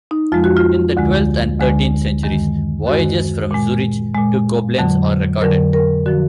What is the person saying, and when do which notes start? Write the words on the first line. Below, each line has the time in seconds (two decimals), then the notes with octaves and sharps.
In the twelfth and thirteenth centuries, voyages from Zurich to Koblenz are recorded.
0.11 D#4
0.32 F2 F3 G#3 F4
0.44 F#4
0.56 F4
0.97 D2 D3 G#3
1.60 D2 D3 G#3
2.23 F#2 D#3 G#3
2.87 F#2 D#3 G#3 F#4
3.51 A#2 G#3
4.15 A#2 G#3
4.78 F2 D3 F#3
5.41 F2 D3 F#3 A#4
5.73 A#4
6.06 D3 F3 F#4